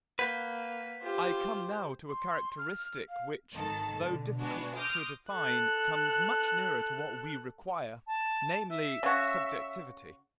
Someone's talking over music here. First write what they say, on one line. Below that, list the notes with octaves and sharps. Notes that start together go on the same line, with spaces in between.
I come now to a characteristic which, though difficult to define, comes much nearer to what we require, namely subjectivity.
A#3 B4 F#5 G6 G#6
F4 G4 C5
C6
F6
F5
G#1 D#3 A4 A5
B2 D3
G#3 B3 D4 F#4
C6 D6 D#6 F6 G6 A#6
A4 F#6
A5
E5
C#3 F#4